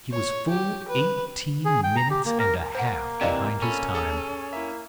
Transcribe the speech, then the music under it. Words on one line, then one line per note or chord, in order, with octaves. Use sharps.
He was full eighteen minutes and a half behind his time.
C#5
G4
B4
G#4
G5
A#5
G4
A#3
A#4
A#3 C5 F#5
C3 E3 D5 D#5 F5
C#4 A4 B5
G#4 A4
A#3 E4 E5